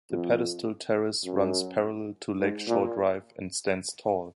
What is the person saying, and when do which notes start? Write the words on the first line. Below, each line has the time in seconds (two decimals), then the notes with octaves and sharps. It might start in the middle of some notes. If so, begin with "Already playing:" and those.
The pedestal terrace runs parallel to Lake Shore Drive and stands tall.
0.10 F2
1.25 F#2
2.39 G#2
2.67 A#2